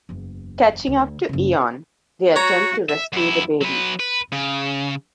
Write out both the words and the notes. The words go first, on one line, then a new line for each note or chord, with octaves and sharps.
Catching up to Eon, they attempt to rescue the baby.
F#1 E2
D2
F#1 C#3
F#4 C#5 A#5
E5
F#2 E4
F#3 B4
B4
C#3